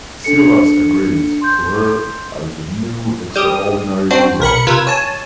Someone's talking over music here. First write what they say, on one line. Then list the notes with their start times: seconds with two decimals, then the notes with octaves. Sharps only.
Silas agrees, to her as the new ExtraOrdinary Wizard.
0.24 D4 A4 C#7
1.41 C6 G6
3.36 G3 G4 D#6
4.11 C4 D4 F#4 C5
4.40 B1 A#4 B5 C#7
4.67 C3 F4 A#4 B4 E6 G#6
4.87 C#5 G#5 A5